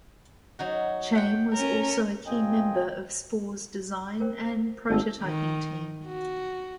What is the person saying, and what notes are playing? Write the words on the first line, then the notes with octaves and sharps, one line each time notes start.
Chaim was also a key member of Spore's design and prototyping team.
F#3 D#4 F#4
F#5 G5
C#4 A#4
A#2 C#3 C4 D#5 G5 G#5
A#4 C5 G5
G#1 D5 A5 E6
D#3
F#4